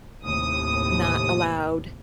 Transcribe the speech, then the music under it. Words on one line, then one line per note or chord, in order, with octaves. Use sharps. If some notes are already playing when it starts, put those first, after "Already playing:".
not allowed
D#2 A2 C3 D#6